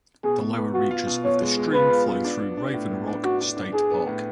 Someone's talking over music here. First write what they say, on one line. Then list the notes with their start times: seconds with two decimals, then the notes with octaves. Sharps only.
The lower reaches of this stream flow through Raven Rock State Park.
0.24 B2 G#4
0.40 B2
0.57 B3
0.74 F4 F#4
0.91 F4
1.07 B2
1.24 B2 C#5
1.41 G#3
1.57 G#3
1.74 F4 B4
1.90 F4
2.07 B3
2.24 D4
2.41 D4
2.57 D4
2.74 A2
2.91 B3
3.07 D4
3.24 D4 F#4
3.41 D4
3.57 D4
3.73 D4 G#4
3.90 B3
4.07 A2